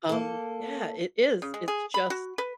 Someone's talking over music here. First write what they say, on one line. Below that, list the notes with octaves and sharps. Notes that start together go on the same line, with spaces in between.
um yeah, it is, it's just,
A#3 A4
C#3
G#3
G#4
B5
F#4
B4